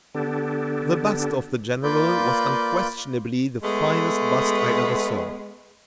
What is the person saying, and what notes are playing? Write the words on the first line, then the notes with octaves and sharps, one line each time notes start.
The bust of the General was unquestionably the finest bust I ever saw.
D3 B3 D4 G4 A4
A#3 F4 B4 D5 G6
G#3 A3 B3